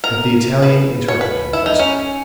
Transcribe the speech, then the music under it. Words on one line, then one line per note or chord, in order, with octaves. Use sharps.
But the Italian interrupted him brusquely.
A#4
B4
C#5
B4
E4
D#4
C#4